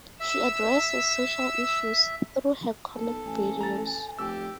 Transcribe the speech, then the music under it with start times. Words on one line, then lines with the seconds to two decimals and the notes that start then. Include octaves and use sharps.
She addresses social issues through her comic videos.
0.20 E5 E6
2.96 B1 A4
3.25 A1 G#5
3.61 A#5 A6
4.19 F1 G4 E6